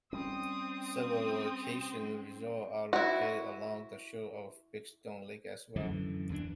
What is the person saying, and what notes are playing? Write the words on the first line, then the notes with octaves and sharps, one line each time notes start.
Several vacation resorts are located along the shores of Big Stone Lake as well.
G3 C4 C#4 D#6
E4 F#4
F#2 D3 E3
D#2 E3 D4